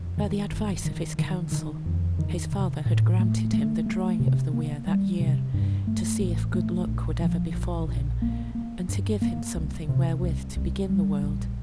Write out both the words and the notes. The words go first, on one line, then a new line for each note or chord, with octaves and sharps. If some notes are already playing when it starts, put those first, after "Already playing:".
By the advice of his council, his father had granted him the drawing of the weir that year, to see if good luck would ever befall him, and to give him something wherewith to begin the world.
Already playing: F2
D#3
G1
D#3
D#3
D#3
F2
D#3
C3
A2
A3
A3
A3
C3
A#3
G3
C3
G2
A3
A1
A3
A#1
F3
A#1
A#1
A#3
A#3
G2
A#3
C2
C3
C2
C2
G3
A#1